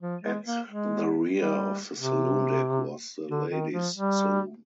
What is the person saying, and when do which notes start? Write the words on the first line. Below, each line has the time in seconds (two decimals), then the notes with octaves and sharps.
At the rear of the saloon deck was the ladies’ saloon.
0.01 F3
0.23 G#3
0.45 A#3
0.67 G#3
1.33 G3
1.99 C3
3.29 D3
3.51 D#3
3.72 F3
3.95 G3